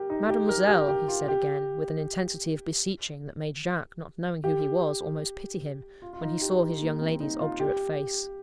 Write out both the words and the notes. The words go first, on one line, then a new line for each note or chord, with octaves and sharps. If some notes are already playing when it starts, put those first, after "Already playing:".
'Mademoiselle!' he said again, with an intensity of beseeching that made Jacques--not knowing who he was--almost pity him, when he saw his young lady's obdurate face.
Already playing: G4 A#4
D#4
G4
A#4
G4
G4
F4
G4
G4
F4
F4
D#4
G4
D#4
A#3
C4
D#4
F4
G4